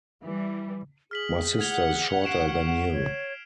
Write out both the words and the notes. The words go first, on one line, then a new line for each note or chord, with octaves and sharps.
My sister is shorter than you.
E3 G3
G#4 F6 B6 F#7
F#5 G#6 F7 G7
C#6 C7 D7 E7
C#5